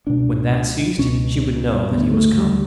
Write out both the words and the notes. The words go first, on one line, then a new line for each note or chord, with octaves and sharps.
When that ceased she would know that he was come.
C#2 B2 D4
C#2 B2 C#4
D2 C#3 B3
A3
G3